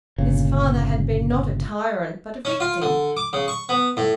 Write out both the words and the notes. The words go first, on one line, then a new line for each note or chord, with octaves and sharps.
His father had been not a tyrant, but a victim.
G1 A#2 C#3
C#4
F4
D3
D6
C#3
C#6
B3
A2